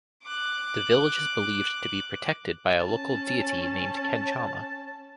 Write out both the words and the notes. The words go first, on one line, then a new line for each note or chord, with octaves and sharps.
The village is believed to be protected by a local deity named Kenchamma.
D6 F#6
C#4 A5